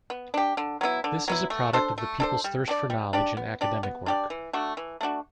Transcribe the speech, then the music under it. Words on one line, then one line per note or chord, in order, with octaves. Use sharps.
This is a product of the people's thirst for knowledge and academic work.
B3
D4 G4
D3
F#3 B3 E4
D3
F#3 B3 E4
A3
D4 A4 C5
A3
D4 A4 C5
G3
D4 G4 D5
G3
D4 G4 D5
B3
D4 G4 D5
B3
D4 G4 D5
E3
A3 D4 F#4
E3
A3 D4 F#4